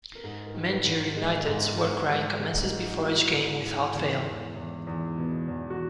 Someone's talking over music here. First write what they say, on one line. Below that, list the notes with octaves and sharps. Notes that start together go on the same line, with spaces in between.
Mangere United's war cry commences before each game without fail.
A#4
G#2 G#4
A#4
D#3
B4
G#2
A#4
G#3
G#2
G#2
G#3
G#3
G#3
F#4
G#3 E4
G#2
G#2
E2
E2
E2
E2
B2
E2
F#4